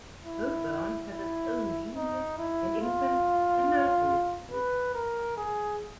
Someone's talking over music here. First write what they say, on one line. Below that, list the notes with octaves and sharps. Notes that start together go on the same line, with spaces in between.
Bowburn has its own Junior and Infant and Nursery schools.
E4
E4
D#4
E4
F4
B4
A#4
G#4